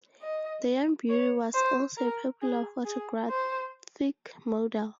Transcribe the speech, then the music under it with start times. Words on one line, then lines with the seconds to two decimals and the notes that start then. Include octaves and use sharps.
The young beauty was also a popular photographic model.
0.21 D#5
1.09 C#5
1.54 C5
1.97 A#4
2.42 G#4
2.85 G#4
3.29 C5